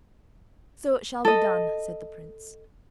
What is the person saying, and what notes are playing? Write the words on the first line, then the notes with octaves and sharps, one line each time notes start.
"So it shall be done!" said the Prince.
A4 D#5